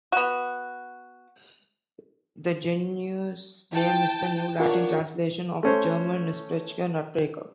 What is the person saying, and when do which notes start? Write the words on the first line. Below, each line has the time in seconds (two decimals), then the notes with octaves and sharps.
The genus name is a New Latin translation of German "Nussbrecher", "nut-breaker".
0.12 B3 F#4
3.73 E4 G5 A5
4.60 D4 F4 A#4 C#5 F#5
5.63 A3 C#4 C5